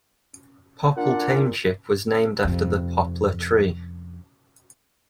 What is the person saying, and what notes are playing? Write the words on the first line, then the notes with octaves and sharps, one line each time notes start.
Popple Township was named after the poplar tree.
A#2 D4 F#5
F2 C3